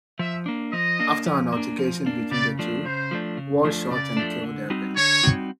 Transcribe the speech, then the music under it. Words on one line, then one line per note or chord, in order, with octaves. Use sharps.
After an altercation between the two, Walsh shot and killed Irving.
F3 E5
A#3 D4
F3 D#5
A#3 D4
F3
A#3 D4
F3
A#3 D4
C#3 D5
F3 A3 D4
C#3 C5
F3 A3 D4
C#3
F3 A3 D4
C#3 D5
F3 A3 D4
D3
G3 C4 D#4 F#4
D3 C#5
G3 C4 D#4 F#4